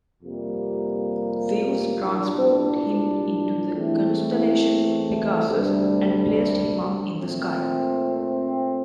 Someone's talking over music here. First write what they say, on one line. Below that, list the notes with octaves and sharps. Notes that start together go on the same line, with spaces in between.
Zeus transformed him into the constellation Pegasus and placed him up in the sky.
F2 C3 G3 A#3
C2 A#2 G3 D4
E2 E3 A3 C4
D2 C3 G3 D4
A#2 A3 C4